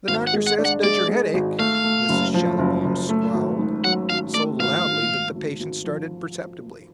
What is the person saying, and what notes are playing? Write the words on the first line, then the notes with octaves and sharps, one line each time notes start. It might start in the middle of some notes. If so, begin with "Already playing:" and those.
"The doctor says 'does your head ache?'" Mrs. Schallibaum squalled, so loudly that the patient started perceptibly.
G#1 F5
F#5
G#3
F#5
D4
F#5
G#3 D5
G#3
G#1
A3 F5
A3
F#1
F3
F#1
F#1
A3
G#1
G#2
F#3 F#5
G#1 F5
A3 D5
G#1 F5
G#1
G#1
G#1
G#1
F3